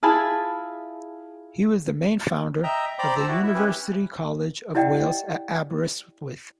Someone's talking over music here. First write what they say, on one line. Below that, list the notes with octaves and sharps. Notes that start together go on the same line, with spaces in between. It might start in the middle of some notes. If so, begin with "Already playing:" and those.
He was the main founder of the University College of Wales at Aberystwyth.
E4 F4 G#4 G#5 A5 B5
D#5 E5 G5 A#5
C5 D5 G5 A#5 B5 D6
G4 C5 A5 E6
E4 F#4
E4
C#4 E4 G4 B4
E4 G4 D5 D#5 F#5 G5